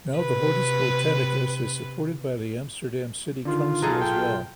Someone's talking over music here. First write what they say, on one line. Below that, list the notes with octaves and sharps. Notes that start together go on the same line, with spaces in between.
Now the "Hortus Botanicus" is supported by the Amsterdam City Council as well.
C3 B4
D3 D#3 F4
B1 F#3 D#4 G#4 A4
G5